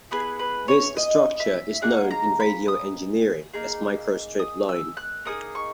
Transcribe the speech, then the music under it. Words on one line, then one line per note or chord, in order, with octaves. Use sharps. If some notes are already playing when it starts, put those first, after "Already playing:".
This structure is known in radio engineering as microstrip line.
B3 E4 G#4 B4
B4
C#5
D#5
E5
A#3 D#4 G#4 F#5
A#5
B5
D#6
A#3 D#4 G#4
D#6
E6
F#6
A#3 D#4 G#4 D#6
C#6